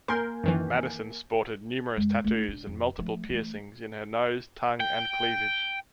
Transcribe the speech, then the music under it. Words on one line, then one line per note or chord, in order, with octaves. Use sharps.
Madison sported numerous tattoos and multiple piercings in her nose, tongue and cleavage.
A#3 A#4 G#5 C6 G6
F#2 D#3 E3
F#2 G#3
A3 D4
D4
F2
F3 A3
E3 A3
G5